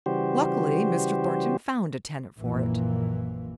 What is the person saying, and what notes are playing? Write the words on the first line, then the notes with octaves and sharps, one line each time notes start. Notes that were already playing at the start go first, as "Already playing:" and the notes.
Luckily, Mr. Thornton found a tenant for it.
C#3 E3 G3 F#4 G4 C5
A#1 F#2 A#2 E3 A#3